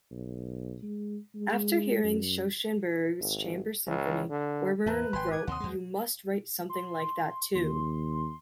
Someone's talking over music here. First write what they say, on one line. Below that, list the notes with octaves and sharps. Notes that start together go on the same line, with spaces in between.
After hearing Schoenberg's Chamber Symphony, Webern wrote You must write something like that, too!
B1
G#3
G#3
F#2
G#1
C#2
D3
E2 A2 B4 E5 A5 A#5
G#1 G5 G#5 B5 C6
D6 G#6
D#2 C3 F#5 C6 D#6
E2 G#3
C6
D#2 C6